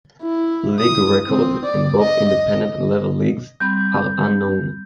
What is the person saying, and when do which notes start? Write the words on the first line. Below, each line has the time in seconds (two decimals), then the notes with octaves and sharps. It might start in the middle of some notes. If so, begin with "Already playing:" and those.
League records in both Independent level leagues are unknown.
0.22 E4
0.80 D#6
1.29 C4
1.65 D5
2.00 D#5
2.29 D#5
3.60 G3 C4 B5 G6